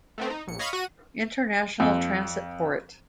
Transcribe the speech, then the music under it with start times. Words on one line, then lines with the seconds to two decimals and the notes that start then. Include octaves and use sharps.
International transit port.
0.18 A3 B3 C4
0.30 D#4
0.47 A#1 C#7
0.59 C#5 D#5 F5 B5 C#6 G#6
0.73 F#4 D#7
1.80 F2